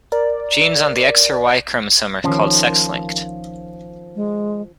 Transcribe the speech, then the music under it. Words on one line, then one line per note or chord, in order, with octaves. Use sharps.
Genes on the X or Y chromosome are called sex-linked.
A#4 D5
D#3 F3 C#4
G#3